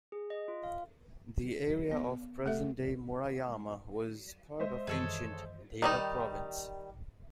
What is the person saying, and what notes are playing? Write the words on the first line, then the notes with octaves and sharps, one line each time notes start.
The area of present-day Murayama was part of ancient Dewa Province.
G#4
D#5
F4
F5
B3
A3 A4 E5
G#3 C5 D#5 E5
F#2 D#3 E3 G#4 A4 C#5
D#3 G3 D#4